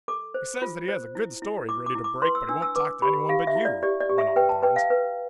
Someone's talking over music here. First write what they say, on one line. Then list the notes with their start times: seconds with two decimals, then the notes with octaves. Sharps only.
"He says that he has a good story ready to break but he won't talk to anyone but you," went on Barnes.
0.08 A4 D6
0.34 C5
0.62 F4
0.88 C5
1.15 E4
1.42 E4
1.69 E4 D6
1.86 D6
1.95 E4
2.04 D6
2.22 B4 C6
2.35 E6
2.49 D4 E6
2.62 E6
2.76 B4 D6
3.02 G4 B5
3.29 G4 F5
3.47 E5
3.56 E4
3.65 D5
3.83 G4 D5
4.00 D5
4.09 G4
4.18 E5
4.36 B4 G5
4.49 A5
4.63 B4 G5
4.76 F5
4.90 B4